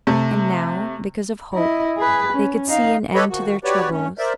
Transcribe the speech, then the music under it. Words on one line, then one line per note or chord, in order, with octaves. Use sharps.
And now because of Hope they could see an end to their troubles.
C3 A3
E4 D#5
G#4 B4
C#4
D#4 F5
G4 A4 B4 C#5 D#5 B5
D#3 F3 F#4
F#4 G4 B4 C#5 D5
G2 A3 C#4
A#4 C5 D5 E5